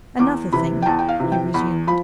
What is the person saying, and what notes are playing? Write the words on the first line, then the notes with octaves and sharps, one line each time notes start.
"Another thing," he resumed.
E2 D6
C3 E3 B5
G5
E2 A5
G5
F5
C3 E3
G5
E2 B5
F3 B5